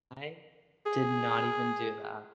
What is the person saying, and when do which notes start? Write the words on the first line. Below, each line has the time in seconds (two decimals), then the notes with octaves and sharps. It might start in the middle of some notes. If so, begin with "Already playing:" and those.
I did not even do that.
0.86 G#4